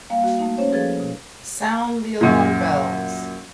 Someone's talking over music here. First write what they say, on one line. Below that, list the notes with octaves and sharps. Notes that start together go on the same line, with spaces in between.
Sound the alarm bells!
G3 A#3 F5
A#3 F#4
A3 A#3 D#4
C#4 C5 C#5
F3 G#4 A4 B4 G#6 A6
B2
F#2 A#2